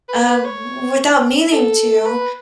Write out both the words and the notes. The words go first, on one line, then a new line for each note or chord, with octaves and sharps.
uh, w without meaning to,
B4
B4
C#5
A4
B4